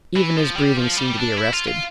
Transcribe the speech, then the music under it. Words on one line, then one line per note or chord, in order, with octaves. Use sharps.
Even his breathing seemed to be arrested.
E3
F3
G3
F3
G3
D4
E4
F4
F4